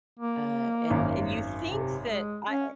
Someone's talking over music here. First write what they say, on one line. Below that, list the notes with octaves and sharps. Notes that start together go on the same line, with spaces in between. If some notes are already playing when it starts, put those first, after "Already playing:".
uh and and you think that I
A#3
G#1 F#2
C3
G#3
C#4